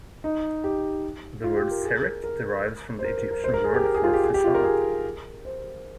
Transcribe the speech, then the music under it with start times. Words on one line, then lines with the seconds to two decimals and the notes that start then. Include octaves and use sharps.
The word "serekh" derives from the Egyptian word for "facade".
0.24 D#4
0.64 G4
1.44 F4
1.57 G4
1.71 A#4
1.84 G#4
2.04 A#4
2.24 A#4
2.99 C5
3.05 A#4
3.17 A#4
3.31 A#4
3.44 C5
3.54 A#4
3.64 G#4
3.74 G4
3.84 A#4
3.94 G#4
4.04 F4
4.14 G4
4.24 G#4
4.34 G4
4.44 F4
4.55 A#4
4.64 G#4
5.45 C5